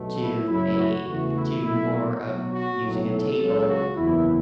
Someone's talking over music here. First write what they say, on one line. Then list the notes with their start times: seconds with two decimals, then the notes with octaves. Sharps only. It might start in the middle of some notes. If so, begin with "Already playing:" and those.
to a, eh, to more of using a table
Already playing: B1 B2 A3
0.19 E4
0.48 F#1 F#2 F#3 A3 E4
0.77 F#4
1.06 E2 C#3 E3 A3 F#4
1.35 E4
1.64 B1 B2 A3 E4
1.93 F#4
2.22 B1 B2 F#3
2.51 F#4
2.81 B1 A2 F#3
3.09 A4
3.38 C#2 C#3 F#3
3.67 F#4
3.96 F#1 E2 E3 E4